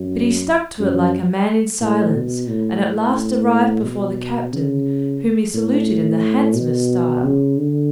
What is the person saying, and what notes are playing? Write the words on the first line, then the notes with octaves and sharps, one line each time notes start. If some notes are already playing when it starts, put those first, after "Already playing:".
But he stuck to it like a man in silence, and at last arrived before the captain, whom he saluted in the handsomest style.
Already playing: F#2
F#2
A2
B2
A2
B2
C#3
A2
B2
C#3
D3